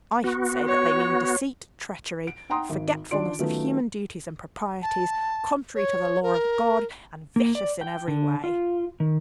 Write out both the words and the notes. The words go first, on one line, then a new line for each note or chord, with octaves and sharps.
I should say that they mean deceit, treachery, forgetfulness of human duties and proprieties, contrary to the law of God and vicious in every way.
B3 F#4
C#5
D7
D#4 F#5 G5 A#5 C6 D#6
G#1
D#3 D4 F4 D5 C6 D7
D#3 F#3 A3 B3 C#4 F4
A5
C#5
A#4
A#3
D5
G5
D3
F4
D#3